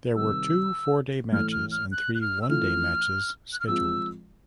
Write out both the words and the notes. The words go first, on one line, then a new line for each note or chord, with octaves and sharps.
There were two four-day matches and three one-day matches scheduled.
C3 D#3 G3 E6
A2 E3 A3 F6
F6
F6
F#6
F#6
F6
E6
E3 A3 C#4 F4 F6
F#6
F6
F3 G#3 C4 F4 E6